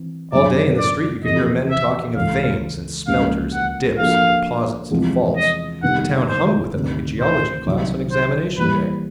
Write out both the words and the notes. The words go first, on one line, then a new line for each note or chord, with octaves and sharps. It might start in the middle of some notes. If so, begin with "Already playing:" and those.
All day in the street you could hear men talking of veins, and smelters and dips and deposits and faults,--the town hummed with it like a geology class on examination day.
Already playing: E3 C4
F#2 C#3 F#3 B3 D4 D5
D5
E2 C3 F3 A3 D#5
E5
C#2 C#3 E3 A3 F5
C#2 C#3 F3 A#3 C#4 F5
F#5
F3 A#3 D4 F#4 A4 F5
E2 C3 F3 G#3 C4
D#5
F2 C3 D#3 G3 B3 F#5
C5
D2 C3 D#3
C5
C2 C3 D#3 F#3
C5
E3 G3 A#3 B4